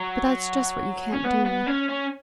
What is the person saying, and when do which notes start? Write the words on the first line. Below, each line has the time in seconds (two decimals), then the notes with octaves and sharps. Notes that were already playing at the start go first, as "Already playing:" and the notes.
But that's just what you can't do.'
Already playing: F#3
1.13 C#4
1.25 B3
1.46 B3
1.67 C#4
1.89 C#4